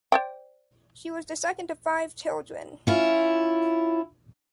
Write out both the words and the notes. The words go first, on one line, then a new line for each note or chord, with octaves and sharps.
She was the second of five children.
C5 D5 G5
C#4 E4 F4